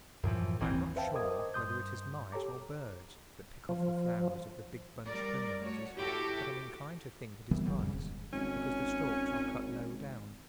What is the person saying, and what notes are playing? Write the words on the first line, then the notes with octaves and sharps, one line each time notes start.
I am not sure whether it is mice or birds that pick off the flowers of the big bunch Primroses, but am inclined to think it is mice, because the stalks are cut low down.
F#2 A2 E3 F3
G1 D#2 E3 C4
B4 C5 E5 F5 G5 A5
A#4 C5 D#5 D6 D#6 G#6
G2 C6 D#6 G6
G4 A4 C#5 A#5 D6
F3
G3 A#4 D5
A3 F#4 C#5
E4 F#4 G4 A4
D#3 E3 G3 B3
G#1 D#3 F#3 G3
F2 G#2 C#3
E1
G#1 C#4